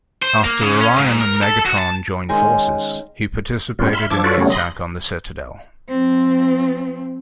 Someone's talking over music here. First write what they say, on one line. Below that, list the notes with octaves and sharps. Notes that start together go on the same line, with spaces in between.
After Orion and Megatron join forces, he participated in the attack on the Citadel.
C5
A#3
C#3
C#4
G#2
A#4
A4
F#4
A5
D#3 G#3 C#4 C5
G2 G3 B3 C#4 F4
E5 B5 C6 F6
F3 D4 D6 E6 G#6
F4 F#4 A4 B4 C#5 D5
C3 F#3 G3 A3 B3 C#4
B5 C6 D#6 A#6
F3 C4